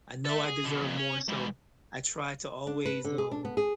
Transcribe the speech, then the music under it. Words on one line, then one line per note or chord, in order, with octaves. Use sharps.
I know I deserve more, so I try to always, um
A4 E5
G#4
B2 D3
F2 A#2
C#4
G#2 E3
D4
B4
D3
G#4
D4
B3
G#4